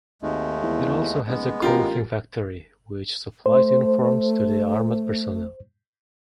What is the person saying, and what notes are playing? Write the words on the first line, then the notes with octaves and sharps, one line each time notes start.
It also has a clothing factory which supplies uniforms to the armed personnel.
G#1 D#2 G#3 A3
E2
D#1 G#3 B3
A1 F4 G4 A#4
A3 C5